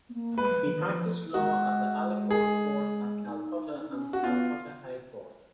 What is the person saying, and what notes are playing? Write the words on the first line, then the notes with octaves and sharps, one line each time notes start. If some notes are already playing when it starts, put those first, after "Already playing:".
He practiced law at the Alipore Court at Calcutta and Calcutta High Court.
B3
A#3
G#3 B4
F#3
F3
F#3
D#3
F3
G#3 F#4
G#4
D#4
C#4
D#4
C#4
F#4
B3 F4